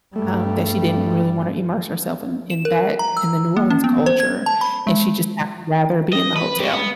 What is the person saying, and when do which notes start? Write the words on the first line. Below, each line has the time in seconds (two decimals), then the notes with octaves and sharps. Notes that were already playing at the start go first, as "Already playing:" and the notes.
um, that she didn't really wanna immerse herself in in that in the New Orleans culture, and she just had rather be in the hotel.
0.16 G2 G3 A3
2.50 E7
2.65 A#4
2.99 A#5
3.17 E6
3.57 A#3
3.70 C#4
3.84 B3
4.06 C5
4.20 G#6
4.46 A5
4.61 B5
4.87 G#3
6.13 D#5
6.36 B4
6.59 F#4 G4
6.73 B3